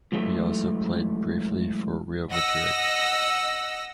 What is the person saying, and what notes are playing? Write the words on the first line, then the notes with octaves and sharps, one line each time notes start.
He also played briefly for Real Madrid.
G#2 E3 F#3 A3 E5
D#5 F#5 E6 A#6